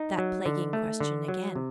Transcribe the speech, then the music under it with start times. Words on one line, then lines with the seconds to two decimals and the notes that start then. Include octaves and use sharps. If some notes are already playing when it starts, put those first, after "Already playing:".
That plaguing question again.
Already playing: D#4
0.18 F#3
0.46 D3
0.73 A3
1.00 D3
1.28 F#3
1.55 C3